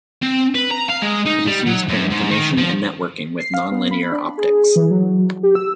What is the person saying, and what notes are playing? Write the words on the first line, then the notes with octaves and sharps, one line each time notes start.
It is used for information and networking with nonlinear optics.
C4
B4
A#5
F5
G#3
D#4
G3
F#3
F#2
G#2
D#3
F3
C7
F5
B3
B5
D4
G#4
E3
F#3
G4
E6